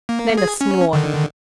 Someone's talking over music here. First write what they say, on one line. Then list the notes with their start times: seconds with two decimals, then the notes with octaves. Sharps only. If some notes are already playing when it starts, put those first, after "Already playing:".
Then a snort.
0.09 A#3
0.37 G#4 G#6
0.61 C#4
0.93 D3 D#3